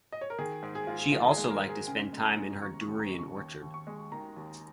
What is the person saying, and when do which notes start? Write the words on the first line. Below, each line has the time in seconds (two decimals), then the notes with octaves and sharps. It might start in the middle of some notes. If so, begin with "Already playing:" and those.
She also liked to spend time in her durian orchard.
0.12 D#5
0.21 C#5
0.30 A#4
0.39 D#3 G#4
0.62 G#2
0.75 G#4
0.87 G#2 F4
0.99 G#4
1.12 D#3 F4
1.31 G#4
1.38 G#3
1.50 A#4
1.62 G#2
1.69 G#4
1.88 C#3 G#5
2.13 G#3
2.25 A#5
2.38 G#3
2.62 D#2 C#6
2.81 C#6
2.88 D#2
2.99 A#5
3.13 C#3
3.19 C#6
3.37 D#2 C#6
3.62 D#2
3.74 C#6
3.87 G#3
4.12 D#3 A#5
4.37 D#2